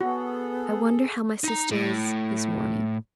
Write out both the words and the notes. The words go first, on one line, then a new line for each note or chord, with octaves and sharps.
'I wonder how my sister is this morning.'
B3 F#4 G#4 A4
D#4 A#5
A2